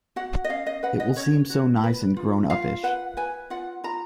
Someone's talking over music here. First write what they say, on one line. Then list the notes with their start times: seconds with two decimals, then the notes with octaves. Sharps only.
It will seem so nice and grown-uppish.
0.16 F#4 F#5
0.44 D#5
0.49 C#4 F5
0.66 D#5
0.83 B4 F#5
1.00 D#5
1.16 C#4 C#5
1.50 F#4
1.83 B4
2.17 F4
2.50 F4 F5
2.83 B4 F#5
3.17 B4 G#5
3.50 F4 F#5
3.84 F4 A#5